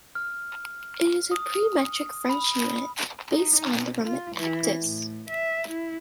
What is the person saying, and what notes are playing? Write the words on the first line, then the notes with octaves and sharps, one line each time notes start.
It is a pre-metric French unit based on the Roman "actus".
F6
D#6
B5
D#4
B2
F4
E3
A2
E5
E4